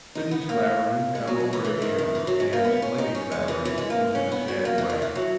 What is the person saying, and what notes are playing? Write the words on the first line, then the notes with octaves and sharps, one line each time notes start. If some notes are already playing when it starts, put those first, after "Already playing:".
Could Mrs. Clavering come over again, as Lady Clavering was in a sad way?
D#4
B3
A#3
G#3
F#3
G#3
E3
E3
D#3
D#3
E3
F#3
G#3
A#3
B3
C#4
D#4
C#4
G#3
E3
E3
G#3
A#3
C#4
B3
F#4
A#3
E3
D#3
E3
F#3